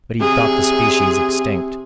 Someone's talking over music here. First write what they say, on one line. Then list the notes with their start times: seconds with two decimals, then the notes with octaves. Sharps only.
But he'd thought the species extinct.
0.21 C3 G#4